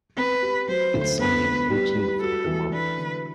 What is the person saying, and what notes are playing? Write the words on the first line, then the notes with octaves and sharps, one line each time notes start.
It's on the eighteenth of the month.
C4 B4
G4
F#3 C5
D2
B3 B4
B3
G3 B4
G3
F#4 A4
E3
D4 B4
D3